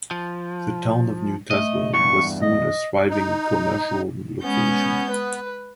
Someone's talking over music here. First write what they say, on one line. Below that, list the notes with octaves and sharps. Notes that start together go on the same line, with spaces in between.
The town of New Tazewell was soon a thriving commercial location.
F3
A3 D#5
E2 G2 C#6
D#5
D#4
G#3 B3 C#4 G6
B4